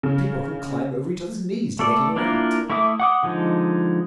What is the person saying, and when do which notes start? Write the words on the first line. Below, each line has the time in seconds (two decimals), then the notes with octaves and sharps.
People can climb over each other's knees to get in or out.
0.03 C#3
1.79 A3 A4 D5
2.16 A#3 D4 E4 F4 A#4
2.70 A3 E4 E5 D6 D#6
3.00 F#5 D6 D#6
3.23 D3 F3 G#3 D#4